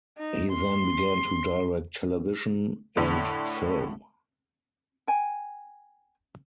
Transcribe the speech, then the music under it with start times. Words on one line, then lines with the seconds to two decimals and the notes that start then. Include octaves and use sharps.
He then began to direct television and film.
0.18 D#4
0.52 C6
2.97 A2 D3
5.07 G5 G#5